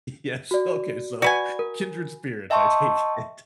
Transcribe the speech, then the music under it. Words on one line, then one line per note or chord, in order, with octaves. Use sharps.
Yes, okay, so, kindred spirits, I take it.
F#4 D5
F#4 B4 D5 G#5
A#4
D#5 E5 G5 A5 C6 C#6